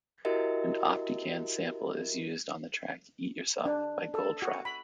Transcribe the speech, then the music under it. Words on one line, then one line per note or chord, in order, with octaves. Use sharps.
An Optigan sample is used on the track "Eat Yourself", by Goldfrapp.
E4 F#4 G4 A#4 D#5 E5
D4
A4
F#4
B5